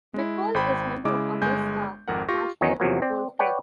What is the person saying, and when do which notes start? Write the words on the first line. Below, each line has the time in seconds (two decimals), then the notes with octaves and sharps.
McColl is member of Augusta National Golf Club.
0.14 G#3 E4
0.54 G#1 C5 G5 B5
1.05 C#3 G#3 E4 D6
1.42 G1 G#3 G#5 G6
2.08 G#1 F2 A#4 F#5
2.29 F4 G4 C#6 A#6
2.61 E2 D#3 F#3 C#4 D#4
2.80 E2 C3 F3 F#3 A#3
3.02 C4 D5
3.39 B4 C#5 D5 F#5 G5